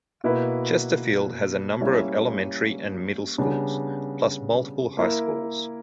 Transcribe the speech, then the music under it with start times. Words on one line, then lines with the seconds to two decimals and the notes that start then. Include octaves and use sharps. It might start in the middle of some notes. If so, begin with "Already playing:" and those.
Chesterfield has a number of elementrary and middle schools, plus multiple high schools.
0.24 B2 A#3 E4 B4
1.81 G3 A#3 C#4 E4
3.38 C#3 G3 B3 D4
4.97 A#3 E4 A#4